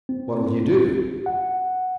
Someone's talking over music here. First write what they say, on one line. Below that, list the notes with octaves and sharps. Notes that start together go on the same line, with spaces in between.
"What'll you do?"
C4
F#5